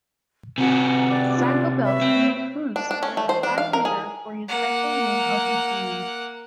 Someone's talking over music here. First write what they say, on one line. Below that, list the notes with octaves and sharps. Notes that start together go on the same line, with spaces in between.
Stan Coveleski cruised with a five-hitter for his second win of the Series.
C3 F#4 G#5 A#5
D5 G5 D6
D4 F4 D5
B4 C#5 E5
C4
D4
D4
C#4
A3
C5
D4
F5
A#4
G#4
A#3 F#5